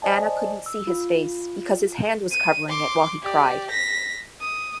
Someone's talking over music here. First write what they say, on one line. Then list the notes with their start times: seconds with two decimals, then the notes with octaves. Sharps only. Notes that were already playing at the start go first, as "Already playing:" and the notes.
Anna couldn't see his face because his hand was covering it while he cried.
0.02 C5 D5 D#5 G#5 A5
0.66 E6
0.87 F4
2.31 D#7
2.68 C6 D6
3.22 G4 D5
3.70 A#6 B6
4.40 D#6